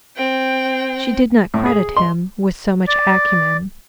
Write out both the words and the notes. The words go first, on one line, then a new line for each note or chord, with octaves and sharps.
She did not credit him with so much acumen.
C4 G5
A2
G#4
C6
D5